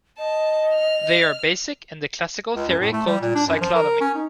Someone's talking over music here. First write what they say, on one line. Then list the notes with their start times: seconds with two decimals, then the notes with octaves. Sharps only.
They are basic in the classical theory called cyclotomy.
0.18 D#5 A5
0.75 F6
2.56 C#2
2.68 F#2
2.80 A2
2.93 A3
3.07 G3
3.21 A#2
3.35 D4
3.47 F#2
3.61 F3
3.75 A#4
4.01 C#4
4.15 D#4